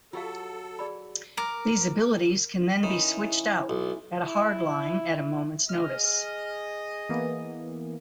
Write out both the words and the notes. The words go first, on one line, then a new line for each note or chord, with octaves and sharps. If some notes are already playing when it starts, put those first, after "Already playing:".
These abilities can then be switched out at a Hardline at a moment's notice.
F#3 F4 G4 A4 F5
G#4 D5 B5
A#4 D6
D#3 C#4 E4
B1
E4
G#4 D#5 F6
E3 A#3 B3